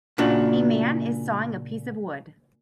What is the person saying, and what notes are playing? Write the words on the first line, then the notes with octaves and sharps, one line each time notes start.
A man is sawing a piece of wood.
A#2 C#3 D4 F#4